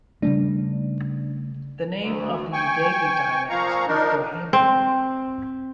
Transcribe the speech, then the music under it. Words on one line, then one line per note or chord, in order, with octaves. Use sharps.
The name of the Eudeve dialect is "Dohema".
C#3 G3 A3 D4
D2
G5 G#5 C#6
A#2 F3 F5 A#5 C#6
D4 D#4 A#4
C4